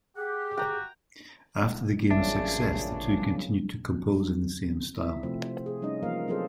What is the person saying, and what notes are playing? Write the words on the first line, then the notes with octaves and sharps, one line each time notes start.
After the game's success, the two continued to compose in the same style.
G4 G#4 F#5
F#4 G5 A#5
A1 G2 A#2 C#3 D4 E5
E4 E5
C3 F3 A3 C4
G#4
G3 C#4 D#4 D#5
E3 F3 A#3 A#4 F5
F#3 C4 F4 G#4 A4 C5